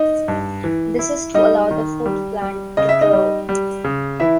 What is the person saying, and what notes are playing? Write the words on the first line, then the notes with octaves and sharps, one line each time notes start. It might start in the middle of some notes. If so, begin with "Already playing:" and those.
This is to allow the food plant to grow.
Already playing: D#4 D#5
G2
E3
E4
G3 D#4 D#5
D#3
G3
G3
C#3 D#5
E5
D#4 D#5
G3
G3
C#3
E3 E4 E5